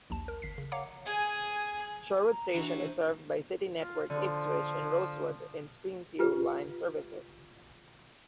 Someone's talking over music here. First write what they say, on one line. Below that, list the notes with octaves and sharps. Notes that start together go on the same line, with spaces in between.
Sherwood station is served by City network Ipswich and Rosewood and Springfield line services.
A#1 D#2 A5
A#4
G1 B6 C7
C#3
C#5 F5 F#5 A#5 D6 C#7
G#4 G#5
A#5
E3 D4 D#4 F#4
G4
C5
F4
D3 F3
F4 G4 B4